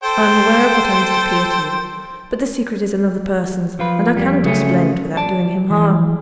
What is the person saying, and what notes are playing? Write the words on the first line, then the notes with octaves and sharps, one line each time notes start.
'I am aware of what I must appear to you, but the secret is another person's, and I cannot explain it without doing him harm.'
A4 C5 G5
F3 F4 B4
F2 G3
C#3 F#3 A3 C#4
D5 A5
E3